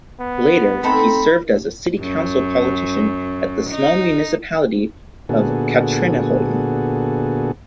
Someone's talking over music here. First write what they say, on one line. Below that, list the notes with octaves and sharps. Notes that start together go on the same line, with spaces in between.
Later, he served as a city council politician at the small municipality of Katrineholm.
B3
A3 C4 D#4 A4 B5
F#2
D#4
A#2 D3 B3 F#4 G#4 A4